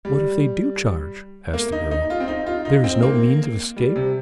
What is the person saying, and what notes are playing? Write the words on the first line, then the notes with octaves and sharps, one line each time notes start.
"What if they do charge?" asked the girl; "there is no means of escape."
G3
A#3
D#4
D#4
F4
C4
D#4
F4
D#4
C4
A#3
G3
C3